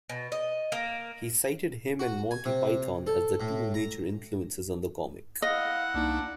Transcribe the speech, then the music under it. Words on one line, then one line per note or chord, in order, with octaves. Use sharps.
He cited him and Monty Python as the two major influences on the comic.
B2
D#5
A#3
F#4
G#5
C3
A4
A2
A#5
E4 D#5 F5 F#5
C2 A#3 D4 D#4